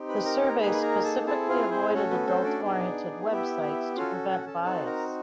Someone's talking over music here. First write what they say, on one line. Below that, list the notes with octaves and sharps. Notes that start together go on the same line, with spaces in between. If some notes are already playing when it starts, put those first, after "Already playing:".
The survey specifically avoided adult-oriented websites to prevent bias.
Already playing: C4 D#4 G4
B4 B5
A#4 A#5
A#4 A#5
A#3 D#4 G#4 B4 B5
B5
A#4 A#5
A4 A5
C4 E4 G#4 A4 A5
F4 F5
C4 C5
A3 C#4 F#4 A4 C#5
B3 B4
C4 C5
D4 D5
B3 D#4 G#4
B3 E4 G4 E5
E4 E5
C#4 F4 F#4 A4 F5
F#4 F#5
A4 A5
C4 D#4 F#4 A4 A5
A#4 A#5